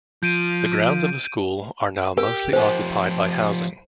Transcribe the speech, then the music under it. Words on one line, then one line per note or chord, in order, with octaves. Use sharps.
The grounds of the school are now mostly occupied by housing.
F3 G6 D7 D#7
G4 A#4
F3 D#4 G4 C5